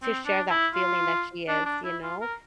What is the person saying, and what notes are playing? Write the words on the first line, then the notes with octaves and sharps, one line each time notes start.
to share that feeling that she is, you know?
C4
D4
E4
F4
D4
D4
E4
F4
A#4